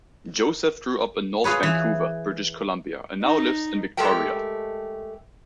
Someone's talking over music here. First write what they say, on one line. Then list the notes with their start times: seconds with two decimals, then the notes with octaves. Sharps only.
Joseph grew up in North Vancouver, British Columbia, and now lives in Victoria.
1.44 F4 G#4 B4 C#5
1.63 E3
3.23 D#4
3.97 G#3 A3 G4 A4 A#4 G5